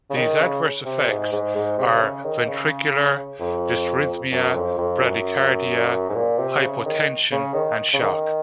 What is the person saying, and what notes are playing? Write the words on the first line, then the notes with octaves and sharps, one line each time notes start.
These adverse effects are ventricular dysrhythmia, bradycardia, hypotension and shock.
C#3
D#3
C#3
C3
G#2
G#2
G#2
C3
D#3
C#3
D#3
C#3
F2
F#2
F2
F2
F#2
G#2
A#2
C3
C#3
D#3
C#3
D#3
C#3
D#3